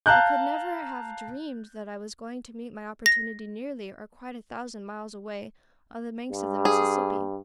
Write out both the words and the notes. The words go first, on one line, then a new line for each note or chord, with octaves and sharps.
I could never have dreamed that I was going to meet my opportunity nearly or quite a thousand miles away, on the banks of the Mississippi.
F5 A5 A#5 F#6 G6
A#6
G2
G#4